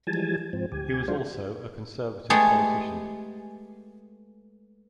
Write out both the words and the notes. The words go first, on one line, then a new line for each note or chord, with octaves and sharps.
He was also a Conservative politician.
E3 F3 G3 G#3 G#5 A5
G#2 F3 C4
D2 G4 G#5
F#3 G#3 D4 F4 C5
G#3 A3 B3 G4 G#4